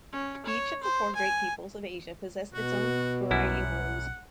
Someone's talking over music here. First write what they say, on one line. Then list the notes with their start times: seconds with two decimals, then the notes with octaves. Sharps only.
Each of the four great peoples of Asia possessed its own variety of rose.
0.13 C#4
0.46 C#5
0.83 C5
1.16 G#5
2.54 B2 F#4
3.31 B1 F#2 G3 E4 F#5